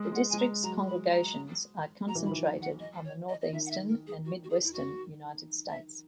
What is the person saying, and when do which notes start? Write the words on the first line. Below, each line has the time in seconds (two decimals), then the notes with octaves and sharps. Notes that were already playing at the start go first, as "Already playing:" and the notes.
The district's congregations are concentrated in the Northeastern and Midwestern United States.
Already playing: G#3
0.12 G#3 F#5
0.30 G#3 G#5
0.39 A#5
0.63 F#3 A#5
0.87 B5
1.12 A#5
2.08 F#3 A#5
2.15 E3
2.24 D#3 B5
2.32 E3
2.45 A#5
2.62 F#5
2.80 D#5
3.05 C#5
3.29 D#5
3.42 D#5
3.53 D#3 E5
3.66 F#5
3.71 E5
3.88 A#4
4.07 G#4
4.25 F#4
4.44 F#4
4.50 G#4
4.64 E4
4.73 F#4
5.70 E5